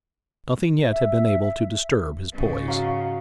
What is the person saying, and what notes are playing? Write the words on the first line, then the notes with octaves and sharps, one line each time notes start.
Nothing yet had been able to disturb his poise.
E5
G#2 C#3
F#3 F5 C#6